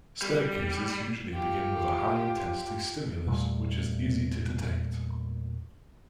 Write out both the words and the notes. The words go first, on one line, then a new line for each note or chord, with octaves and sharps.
Staircases usually begin with a high intensity stimulus, which is easy to detect.
G3
F4 G4
E2 A#2 G3 A3